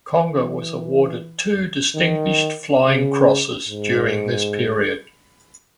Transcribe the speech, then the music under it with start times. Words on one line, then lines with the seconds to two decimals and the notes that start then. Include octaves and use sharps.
Conger was awarded two Distinguished Flying Crosses during this period.
0.21 E3
1.95 D#3
2.82 C#3
3.69 G#2